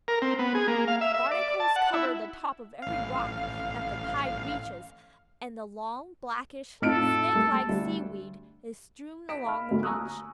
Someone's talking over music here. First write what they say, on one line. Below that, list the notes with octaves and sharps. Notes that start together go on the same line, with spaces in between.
Barnacles cover the top of every rock that the tide reaches, and the long, blackish, snakelike seaweed is strewn along the beach.
A#4
C4
B3
G#4
A#3
F5
E5
E5
D5
A5
F#5
E4
A1 F5
F2 A2 D#4 F4 A4 F6 D7
G3 A3 A#3
D2 G3
B6 D7 E7
F5 B5 F6
D2 F#3 A3 A#3
G#5 A#5 C#6 D#6 E6 F#6